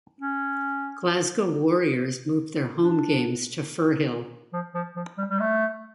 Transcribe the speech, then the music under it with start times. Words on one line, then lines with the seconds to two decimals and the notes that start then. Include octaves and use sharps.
Glasgow Warriors moved their home games to Firhill.
0.21 C#4
2.80 D4
4.53 F3
4.74 F3
4.96 F3
5.18 G3
5.30 G3
5.40 A3